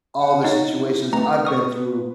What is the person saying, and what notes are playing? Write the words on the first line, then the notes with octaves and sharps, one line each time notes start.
all the situations I've been through
F#5
D#4 C#5 D#5 F#5
E4
A3 C4 B4 A#5
C#6 D#6 F6